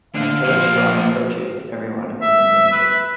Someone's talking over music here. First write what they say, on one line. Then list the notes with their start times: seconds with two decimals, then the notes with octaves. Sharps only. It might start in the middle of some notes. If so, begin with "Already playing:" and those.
When a 'killer storm' approaches, everyone is endangered.
0.15 D3 F5
0.44 A#2 F3
2.22 E5
2.72 B4